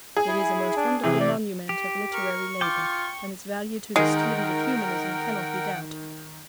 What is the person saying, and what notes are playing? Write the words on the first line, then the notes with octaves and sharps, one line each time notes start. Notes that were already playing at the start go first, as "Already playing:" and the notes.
It is a most wonderful monument of literary labour, and its value to the student of Humanism cannot be doubted.
G#4
E4
D4
C3 E3 G#4
D5
G4
A#4 C#6
F4 G5 D6
D#3 G#3 D#4 A#4 F#5 G5